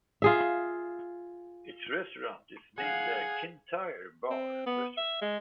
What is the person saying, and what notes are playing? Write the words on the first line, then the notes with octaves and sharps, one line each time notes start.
Its restaurant is named the Kintyre Bar and Restaurant.
F4 G#4 E5
G#4 F5 F#5
C4
B3
E5
G#3